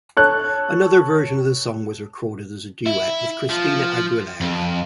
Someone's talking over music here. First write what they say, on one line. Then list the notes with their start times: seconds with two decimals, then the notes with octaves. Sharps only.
Another version of the song was recorded as a duet with Christina Aguilera.
0.17 A4 C#5 F#6
2.86 E4
3.50 F3
4.41 F2